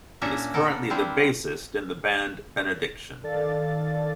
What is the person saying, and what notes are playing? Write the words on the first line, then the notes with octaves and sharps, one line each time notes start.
He is currently the bassist in the band Benediction.
A#2 C#4 D4 E5 G#5 A#5
B3 A4 A#4
G3 C4 D4 E4 C5 F5
D#3 A4 D5 F5 A6